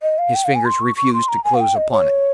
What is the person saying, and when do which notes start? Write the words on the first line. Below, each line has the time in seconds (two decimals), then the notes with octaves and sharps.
His fingers refused to close upon it.
0.02 D#5
0.18 F5
0.35 G5
0.45 F5
0.55 G#5
0.65 C6
0.82 C#6
0.97 C#6
1.13 C6
1.29 A#5
1.44 G#5
1.55 F5
1.61 G5
1.76 D#5
1.92 C#5